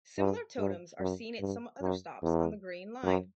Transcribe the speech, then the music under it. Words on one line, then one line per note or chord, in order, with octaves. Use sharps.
Similar totems are seen at some other stops on the Green Line.
G2
G2
F#2
G2
F#2
E2
F#2